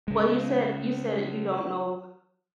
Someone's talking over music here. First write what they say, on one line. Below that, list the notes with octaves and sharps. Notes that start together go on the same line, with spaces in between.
Well, you said you said you don't know
C#3 G#3